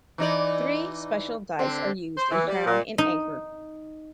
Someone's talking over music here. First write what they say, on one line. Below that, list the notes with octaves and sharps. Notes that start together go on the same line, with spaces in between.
Three special dice are used in Crown and Anchor.
E3 D#4 D5
D3 C4
C5
E3
G3
A#2
D#4